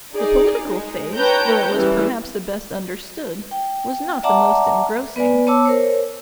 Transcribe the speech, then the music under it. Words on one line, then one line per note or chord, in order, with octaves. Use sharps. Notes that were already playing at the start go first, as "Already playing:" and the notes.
The political phase, though it was perhaps the best understood, was not the most engrossing.
D#4 G#4 D5
G#3 D#4
B4 C#5 G5 A5 A#5 G6
C#3 E3 G3
G5
D5 E5 F#5 A5 A#5 D6
B3 B4 D5 G#5
B3 C#5 A5 D6 E6
A#4 C5 C#5